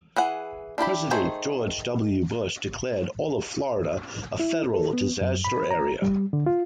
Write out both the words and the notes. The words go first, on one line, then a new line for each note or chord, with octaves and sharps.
President George W. Bush declared all of Florida a federal disaster area.
E3 G#4 F#5
D4 E4 G4 B5
D#3 A3 G#4 C5
E4
A4
B3
F#2
B5
A#5
G3
D3
F4